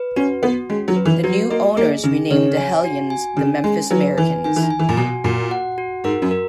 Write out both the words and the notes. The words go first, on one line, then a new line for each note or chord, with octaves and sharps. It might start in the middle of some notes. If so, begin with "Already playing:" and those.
The new owners renamed the Hellions the Memphis Americans.
Already playing: B4
C#4 F#4
B3 F#4
G#3 C#4
F#3
B4
E3
F#3 F#4
A#3 D#5
A#3 G#4
C#3 G#4
C#3 C#5
G#5
F#4
G#5
C#3 C#4
G#3 G#5
F#3 B4
E3 G#5
D#3 G#5
E3
D#3
G#5
E3
A#2
B2 F#4
A#2 F#4
F#5
F#4
G#2 A#4
F#2
A#4